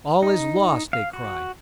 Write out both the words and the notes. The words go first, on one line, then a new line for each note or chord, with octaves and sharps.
"All is lost!" they cried.
D#4
F5
F#4